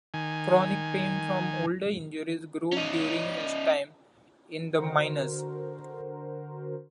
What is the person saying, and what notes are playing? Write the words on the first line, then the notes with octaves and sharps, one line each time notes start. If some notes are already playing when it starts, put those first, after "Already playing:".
Chronic pain from older injuries grew during his time in the minors.
D#3 G#5
C#4 D#4
D3 F#4 A#4 C5